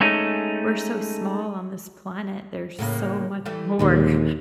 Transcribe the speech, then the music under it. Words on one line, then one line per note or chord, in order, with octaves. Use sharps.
We're so small on this planet. There's so much more
G#3 A3 C#4 D#4
A2 C#3 A#3
E3 G3 A3
D#2 A#2 D3 G#3